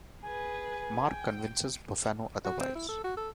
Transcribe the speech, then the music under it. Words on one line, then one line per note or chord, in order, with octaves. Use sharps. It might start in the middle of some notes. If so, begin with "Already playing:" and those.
Mark convinces Boffano otherwise.
G#4 B4 G#5
G5
F#4
C4
E4
A4
F#4
A4